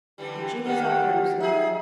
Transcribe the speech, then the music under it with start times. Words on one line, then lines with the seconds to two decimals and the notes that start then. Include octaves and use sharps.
The jig is up, Remsen.
0.18 D3 E3 G3
0.65 D#3 G3 F#5
1.40 D#4 G#4 E5